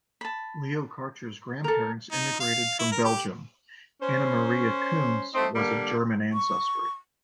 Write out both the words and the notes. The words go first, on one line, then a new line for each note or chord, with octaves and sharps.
Leo Karcher's grandparents immigrated from Belgium; Anna Maria Kuntz was of German ancestry.
A5 B5
A4 A#4
D#4
F5
E4
A#4
G4
C#4 C5
A3 C4 D#4 C5
D3 G3 A#3
C#6